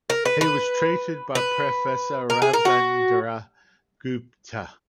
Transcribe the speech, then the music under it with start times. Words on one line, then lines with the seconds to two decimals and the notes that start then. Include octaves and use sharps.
He was treated by Professor Ravindra Gupta.
0.10 A#4
0.25 B4
0.41 B4
1.35 B4
2.30 A#4
2.42 G#4
2.53 A#4
2.65 F#4